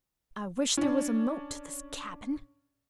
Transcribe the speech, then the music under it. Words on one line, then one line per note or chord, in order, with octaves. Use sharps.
I wish there was a moat to this cabin.
C#4 D4